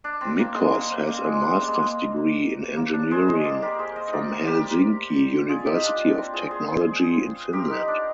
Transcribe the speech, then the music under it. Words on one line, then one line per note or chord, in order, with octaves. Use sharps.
Mickos has a master's degree in Engineering from Helsinki University of Technology in Finland.
D4
C4
A#3
G#3
A#3
C4
A#3
G#3
G#3
G3
G#3
A#3
A#3
D4
G#4 C5
C5 D#5
A#4 D5
G4 A#4
G#4 C5
C5 D#5
A#4 D5
G4 A#4
F4 G#4
D#4 G4
D4 F4
C4
F4 G#4
G#4 C5
G#4 C5
G4 A#4
D#4
D4